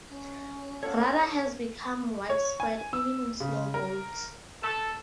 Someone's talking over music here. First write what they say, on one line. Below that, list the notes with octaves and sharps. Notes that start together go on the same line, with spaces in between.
Radar has become widespread even in small boats.
C#4
A4 C#5 F5 F#5
C#5
G#5
E6
C#3
A#4
A4